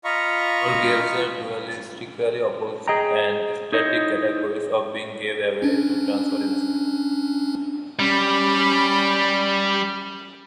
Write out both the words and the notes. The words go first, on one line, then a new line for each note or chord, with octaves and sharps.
For Gebser, dualistically opposed and "static" categories of Being gave way to transparency.
F4 D#5 F5 A#5 B5 C#6
G#4 D#5 G5 A#5
D#4 E4 C5 C#5 D#5
C#4 D4
G3 C#4 B5